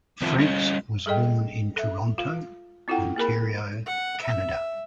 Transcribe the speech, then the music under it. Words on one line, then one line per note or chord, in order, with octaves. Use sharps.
Francks was born in Toronto, Ontario, Canada.
D#3 F3 C4 F4 E5 A5
G3 C#4 C#5 D#5
G3 G#4 A4 D#5 G5
A4 E5
F4 F5
C4 E4 F4 A4 F#5 G5
A#3 G#4 A#4 B5
F#5
E5